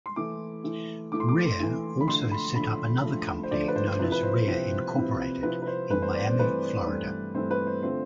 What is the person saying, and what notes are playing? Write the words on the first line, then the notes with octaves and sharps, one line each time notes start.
Rare also set up another company known as Rare, Incorporated in Miami, Florida.
C6
E3 A3 E4 D6
E3 A3 E4
E3 A3 E4 D6
C6
D6
E3 A3 E4
B5
D3 F3 A3 C6
B5
D3 F3 A3 B5
D3 F3 A3
C5
D3 F3 A3 D5
B4
C5
C5
C3 F3 C4 E4 B4
B4
C5
C3 F3 C4 E4
C3 F3 C4 E4
C3 F3 C4 E4 B4
B4
C5
G2 E3 A3 C4 B4
C5
D5
C5
G2 E3 A3 C4 B4
G2 E3 A3 C4
G2 E3 A3 C4 C5
B4
C5
D3 A3 C4 F4 C5